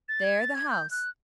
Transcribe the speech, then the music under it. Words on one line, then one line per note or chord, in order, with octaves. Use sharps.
There the house.
A6
G#6
A6
G#6
G6
F#6